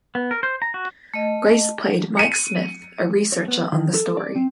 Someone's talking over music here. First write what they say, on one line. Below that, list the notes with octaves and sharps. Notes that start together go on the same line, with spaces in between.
Grace played Mike Smith, a researcher on the story.
B3
A#4
C5
A#5
F#4
A3 D#5
C#7 D#7
C#5
B3
D#3
A4
D5
C4